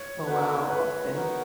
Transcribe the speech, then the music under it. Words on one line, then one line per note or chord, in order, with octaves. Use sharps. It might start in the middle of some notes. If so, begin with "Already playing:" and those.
Oh, wow, okay.
Already playing: C#5
B3 D#4 F#4 A#4 B4
G#3 B4
B3 D#4 F#4 A#4